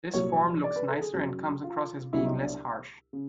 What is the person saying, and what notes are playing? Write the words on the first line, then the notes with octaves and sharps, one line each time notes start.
This form looks nicer and comes across as being less harsh.
C2 A#2 F#3 C#5
D5
B4
A4
G#4
F#1 F#2 C#3 F#3 F#4
F4
C2 B2 F#3 E4
D#4
D4
C#3